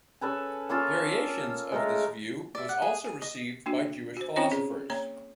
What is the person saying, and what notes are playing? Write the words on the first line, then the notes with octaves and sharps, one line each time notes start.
Variations of this view was also received by Jewish philosophers.
C#4 A4 B4 G#5
A#3 C#4 F4 A4
G#3 A3 A#4
D5 E5
F#5
G#4
G#4
D#5
A#3 D4 F#4
F#4 C5
C4 C#4 D#4 F4 C5 C#5
C#4 G#4
A#3 C#5 A#5